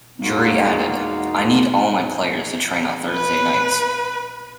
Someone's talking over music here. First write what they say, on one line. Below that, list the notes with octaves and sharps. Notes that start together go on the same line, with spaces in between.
Drury added "I need all my players to train on thursday nights".
E2 G#3 A#3 D#4 F#4 F5
B4